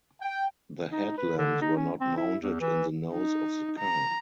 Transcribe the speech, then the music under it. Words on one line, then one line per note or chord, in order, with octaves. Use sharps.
The headlamps were not mounted in the nose of the car.
G5
D#4
B4
D3
D#4
C#4
C4
E4
E2
E3
D#4
A#5